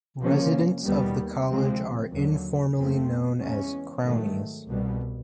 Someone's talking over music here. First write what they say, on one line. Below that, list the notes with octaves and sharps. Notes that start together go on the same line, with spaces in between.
Residents of the college are informally known as Crownies.
C3 F3 A#3 C#4
D#2 D#3 G3 B3
D2 C3 F3 G#3 C4
D#2 D3 F#3
F2 C3 F3 A3 C4
E2 C#3 E3 G#3 C#4
G#2 D#3 F#3 A3
C2 B2 G3